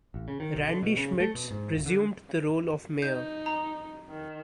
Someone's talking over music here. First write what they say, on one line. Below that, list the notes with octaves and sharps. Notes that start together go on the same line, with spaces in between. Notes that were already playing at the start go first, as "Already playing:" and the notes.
Randy Schmitz resumed the role of Mayor.
A1
C#3
D#3
B1
D3
B2
C#3
A3
B2
G#2
D1
D3
D#4 G6
A#5
D#3